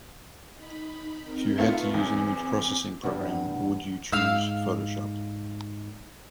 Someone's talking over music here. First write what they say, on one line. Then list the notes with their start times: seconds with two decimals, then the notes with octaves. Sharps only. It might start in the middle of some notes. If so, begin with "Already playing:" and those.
If you had to use an image processing program, would you choose Photoshop?
0.53 D#4 B5
1.21 C4 D#4 A#4
1.58 A3 B3 F4
1.94 E2 C4
3.03 E2 G2 F#5
4.12 G#2 F5 E6